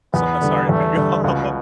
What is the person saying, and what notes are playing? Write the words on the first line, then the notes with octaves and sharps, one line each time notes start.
So, uh, sorry, cut you off.
E2 B3
D3 G3
E2 A3
D3 G3
C#2 B2